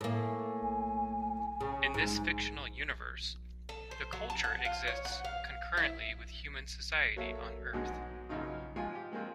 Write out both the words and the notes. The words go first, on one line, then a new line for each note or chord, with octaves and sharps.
In this fictional universe, the Culture exists concurrently with human society on Earth.
A2 A#3 G#5
C#3
G#2
A4
C5
F#3
A5
F#5
F4
C#5
F#5
F5
E4
F#3 A#3 A4 C#5 E5 F5
G#2 B2 D3 F#3 G#3
F#2 C#3 F3 D#4 F4
G#2 F3 G#3 F4 G#5
G4
F3 G#3 A#3 C4 F4